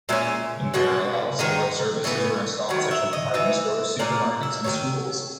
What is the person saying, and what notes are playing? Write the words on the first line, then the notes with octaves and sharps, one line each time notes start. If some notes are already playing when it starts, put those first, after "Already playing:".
In parallel, several services were installed such as department stores, supermarkets, and schools.
A#2 G#3 C#4 E5
B2 G#3 F#5
D#3 G#3 D#4
C#3 E3 B3
D#3 F#3 F#5
E5
D#5
E3 B3 D#4 E5
A#2 A#3 C#4 F#5
E5
D#3 F#3 C#4